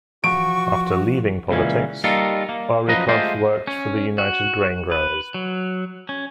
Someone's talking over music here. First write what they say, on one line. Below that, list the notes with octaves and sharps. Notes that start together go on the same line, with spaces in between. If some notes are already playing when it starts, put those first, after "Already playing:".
After leaving politics, Wawrykow worked for the United Grain Growers.
F3 F#4 C#6 D7
C#2 A#2 E3 C#4
G3 A#3 D#4 F4 A4 A#4
A#3
F#2 F3 B4 D#5 A#5
G#3 A3 F4 G4 C5 D#5
C#4
F#4
B4
F#3
C#4